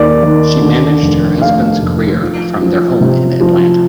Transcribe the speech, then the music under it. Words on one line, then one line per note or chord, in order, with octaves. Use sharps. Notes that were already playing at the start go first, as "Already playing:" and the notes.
She managed her husband's career from their home in Atlanta.
Already playing: D#2 D5
D#3
D3
F1
A3 F5
F1
F3
F3
C3
F3